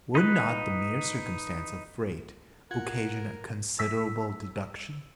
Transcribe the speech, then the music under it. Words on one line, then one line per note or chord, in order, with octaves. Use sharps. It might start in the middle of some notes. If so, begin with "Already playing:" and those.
Would not the mere circumstance of freight occasion a considerable deduction?
D#4 B4 F#6
F4 A#4 F#5 G#6
E6 B6